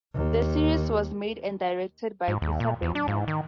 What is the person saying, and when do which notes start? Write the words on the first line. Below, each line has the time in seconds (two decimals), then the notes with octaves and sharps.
The series was made and directed by Peter Baynham.
0.15 D#2
2.28 G#2
2.42 D#2
2.60 A#2
2.82 E2
2.95 D4
3.08 G#2
3.28 D#3